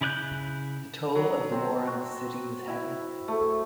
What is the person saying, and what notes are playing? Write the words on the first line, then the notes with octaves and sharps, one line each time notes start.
The toll of the war on the city was heavy.
C#3 E4 D5 F#6 G6
F#3
C4
F#4
E4
A3